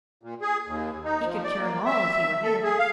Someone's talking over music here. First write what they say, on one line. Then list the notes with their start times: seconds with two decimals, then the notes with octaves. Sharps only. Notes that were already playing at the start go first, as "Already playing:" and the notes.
"He could cure 'em all if he were here."
0.23 A#2
0.41 G#4
0.67 D#2
1.05 D#4
1.24 F3
1.44 D5
1.59 A#3
1.86 E5
2.43 A4
2.63 G#4
2.79 F5